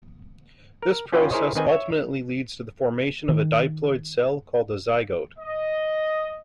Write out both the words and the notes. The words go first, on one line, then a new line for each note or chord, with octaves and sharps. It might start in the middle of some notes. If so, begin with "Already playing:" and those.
This process ultimately leads to the formation of a diploid cell called a zygote.
A#4
C#4 F4 F#4 B4 D5 G5
E4 G#4 A#4 C5 C#5 D#5
D#3 C4 B4 D#5 G#5
C#5 E5
D#3
D#5